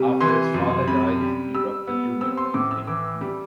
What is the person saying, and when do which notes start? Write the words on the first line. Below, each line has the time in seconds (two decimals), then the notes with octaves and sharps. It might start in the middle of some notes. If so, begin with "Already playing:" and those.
After his father died, he dropped the "Junior" from his name.
Already playing: C3 G3
0.21 E3 C6
0.54 F#2
0.88 C3 B5
1.21 G3
1.54 G3 E6
1.87 B3
2.21 C4 E6
2.37 C6
2.54 A2 D6
2.71 E6
2.87 E3 D6
3.21 G3